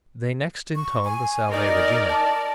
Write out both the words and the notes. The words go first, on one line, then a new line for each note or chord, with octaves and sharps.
They next intoned the Salve Regina.
C#6
G#5
D#4 A#4 D5
A5